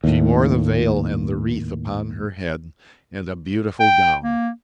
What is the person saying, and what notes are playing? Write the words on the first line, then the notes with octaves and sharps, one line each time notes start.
She wore the veil and the wreath upon her head, and a beautiful gown.
D#2 A2
G5
A#3